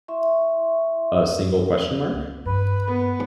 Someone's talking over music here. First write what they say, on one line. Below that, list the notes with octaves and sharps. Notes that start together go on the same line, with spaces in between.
A single question mark ?
E4 E5 C6 C#6
C#2
G2 B4
B3